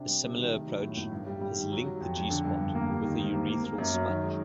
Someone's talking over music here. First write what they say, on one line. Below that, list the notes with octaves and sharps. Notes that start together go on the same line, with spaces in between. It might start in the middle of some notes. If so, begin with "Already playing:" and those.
A similar approach has linked the G-spot with the urethral sponge.
Already playing: C3 D4
G3
G3
D#3
A3
F#3
A2
A2
G2
G3
G3
D#3
F#3
F#3
F2
F2
D3
G2
G2
A#3
G3
D#3
G#2
A#3
A#3
A#3
F#2
F#3
D#3
G#3